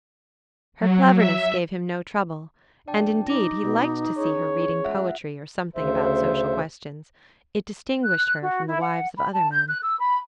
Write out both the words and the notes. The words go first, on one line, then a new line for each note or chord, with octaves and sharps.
Her cleverness gave him no trouble, and, indeed, he liked to see her reading poetry or something about social questions; it distinguished her from the wives of other men.
F#3
E5
F2 B2 D4 D5 G5 A5
D#4 D6 A#6
B2
E2 C#4 G#4 C#5
G#3 F4 E5 F#5
D2 C#3 C5 E5
F#6
F#4
E4
F#5
B5
A5
G6
F#6
E6
B5